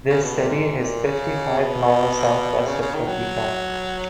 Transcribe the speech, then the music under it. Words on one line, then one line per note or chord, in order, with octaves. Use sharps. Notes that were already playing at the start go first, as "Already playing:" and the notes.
This city is fifty-five miles southwest of Topeka.
C#3
B2
A#2
G#2
A#2
C#3
B2
C#3
C#3
D#3
F#3